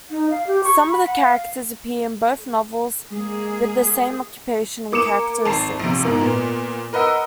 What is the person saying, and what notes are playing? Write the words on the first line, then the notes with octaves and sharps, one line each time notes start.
Some of the characters appear in both novels with the same occupation and characteristics.
D#4
F5
G4
C#6
B5
F#5
F5
G#3 A#3 G#4
A#3 D6 C#7 E7
G#1 A5 C7
A#1 C3
G#2 B2 A#3
A#2 B3
A#4 B4 D#5 F#5 E6